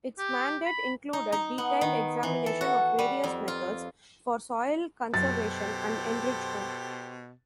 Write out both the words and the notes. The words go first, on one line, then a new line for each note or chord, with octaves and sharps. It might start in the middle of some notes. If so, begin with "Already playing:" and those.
Its mandate included detailed examination of various methods for soil conservation and enrichment.
G4
B5
D#4
D#4
B3
D#3
E3
A4
F#4
G3
F2
F4
F#2 B2 G4 A4 C5 A6